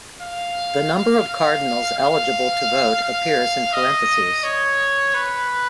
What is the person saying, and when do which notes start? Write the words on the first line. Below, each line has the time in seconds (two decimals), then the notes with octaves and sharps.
The number of cardinals eligible to vote appears in parentheses.
0.22 F5
0.93 F5
1.27 F5
1.97 F5
3.02 F5
3.73 D#5
4.43 C#5
5.14 B4